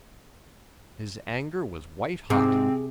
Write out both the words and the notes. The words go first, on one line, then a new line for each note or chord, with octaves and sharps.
His anger was white hot.
G#2 C3 C4 G#4